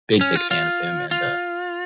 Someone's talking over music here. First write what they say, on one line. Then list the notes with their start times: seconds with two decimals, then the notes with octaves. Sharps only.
big big fan of him and, uh,
0.21 C#4
0.35 F4
0.51 F4
1.11 F4